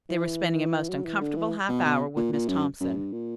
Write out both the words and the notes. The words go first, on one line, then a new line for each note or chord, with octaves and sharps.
They were spending a most uncomfortable half hour with Miss Thompson.
E3
F#3
E3
D3
E3
B2
B2
A#2
A#2
F#2
F#2
G2
A#2